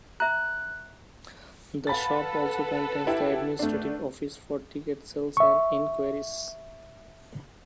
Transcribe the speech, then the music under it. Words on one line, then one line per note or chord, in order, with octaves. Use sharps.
The shop also contains the administrative office for ticket sales and enquiries.
E5 A#5 F#6
A4 B4 F5 F#5 B5 A6
E4 G4
A3 D4
E5 C#6